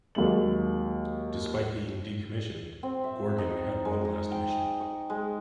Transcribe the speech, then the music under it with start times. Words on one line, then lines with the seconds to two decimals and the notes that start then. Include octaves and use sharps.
Despite being decommissioned, "Gorgon" had one last mission.
0.15 D#2 F#3 G#3 F#7
2.83 C4
3.04 E5
3.38 D#4
3.50 C#6
3.85 G#3
4.05 D#4
4.31 G5
4.81 C#6
5.10 G#3